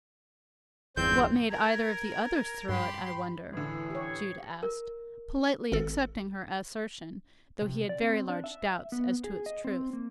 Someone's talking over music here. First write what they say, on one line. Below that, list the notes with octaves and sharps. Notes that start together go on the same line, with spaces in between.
"What made either of the others throw it, I wonder?" Jude asked, politely accepting her assertion, though he had very large doubts as to its truth.
G1 E2 C4 G6
A#4 G#6
G2 G4 B5 C6
A2 D3 E3 G#4
G4 C#5
A#4
G#1 A4
C3
D5
C4
D4
E5
B3
G#4
D#5
C4
A#3